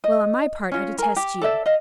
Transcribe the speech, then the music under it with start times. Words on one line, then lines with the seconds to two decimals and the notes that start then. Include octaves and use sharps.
"Well, on my part, I detest you."
0.04 D#5
0.71 C#4 F4
0.98 A#4 G#5
1.16 G4
1.41 A4 D5 E5
1.66 D#5 F5